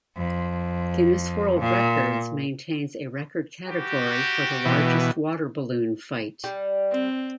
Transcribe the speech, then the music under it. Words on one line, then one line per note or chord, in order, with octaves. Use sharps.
Guinness World Records maintains a record category for largest water balloon fight.
F2
A#2
G3 F#4 G4
B2 E3
G3
C4